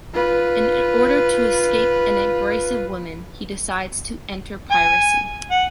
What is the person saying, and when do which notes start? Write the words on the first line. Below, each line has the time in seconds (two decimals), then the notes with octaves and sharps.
In order to escape an abrasive women, he decides to enter piracy.
0.14 F4 B4
4.71 G#5
5.51 F#5